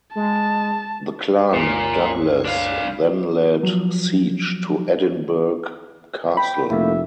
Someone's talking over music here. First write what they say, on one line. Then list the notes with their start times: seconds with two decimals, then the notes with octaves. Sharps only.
The Clan Douglas then laid siege to Edinburgh Castle.
0.15 G#3 A5
1.53 C2 F#2 A#2 C#5
2.45 D4 F5
3.63 F3 F#3
6.37 G5 B5
6.70 F1 A3 A#3 E4 E5